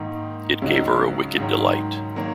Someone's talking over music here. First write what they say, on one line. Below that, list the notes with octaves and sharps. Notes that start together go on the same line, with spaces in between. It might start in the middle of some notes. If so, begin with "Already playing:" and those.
It gave her a wicked delight.
Already playing: G#2 D#3 A#3 D#4
C#2 C#3 F#3 D#4 F#4
G#2 D#3 F#3
D#3 F#3 A#3